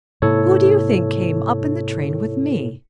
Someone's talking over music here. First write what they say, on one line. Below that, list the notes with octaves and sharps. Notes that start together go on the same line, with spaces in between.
Who do you think came up in the train with me?'
G#2 C3 A#3 E4 A4 C#5